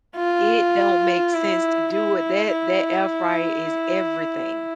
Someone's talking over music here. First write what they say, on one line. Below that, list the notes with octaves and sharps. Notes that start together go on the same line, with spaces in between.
It don't make sense to do it. That that air fryer is everything.
F4
E4
E4
E4